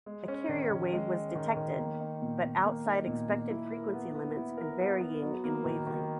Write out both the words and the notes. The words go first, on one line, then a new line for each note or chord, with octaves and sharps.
A carrier wave was detected, but outside expected frequency limits and varying in wavelength.
G#3
C#4
D#3
D#3
G#3
C#4
D#3
D#3
A#3
D#4
A#2
A#2
A#3
D#4
A#2
A#2
E4
A#4
B3
B3
E4
A#4
B3
B3
F#3
A#3
D#3
D#3